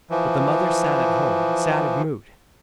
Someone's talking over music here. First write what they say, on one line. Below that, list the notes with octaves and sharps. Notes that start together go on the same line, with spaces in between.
But the mother sat at home, sad of mood.
E3 F3